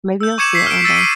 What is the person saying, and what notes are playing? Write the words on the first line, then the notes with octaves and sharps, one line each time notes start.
Maybe you'll see it one day.
E6 G6
C#6 D6 G#6 C#7 E7 F#7
B6 C7
F6 D7
E6 A6 D#7
C7 D7 D#7